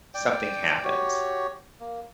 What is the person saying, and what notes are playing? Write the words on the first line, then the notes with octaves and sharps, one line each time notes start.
something happens,
D5 G5
F#4 G4 C#5
A#3